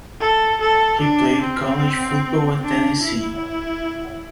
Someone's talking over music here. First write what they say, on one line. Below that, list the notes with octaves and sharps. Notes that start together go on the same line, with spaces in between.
He played college football at Tennessee.
A4
A4
D4
C4
D4
E4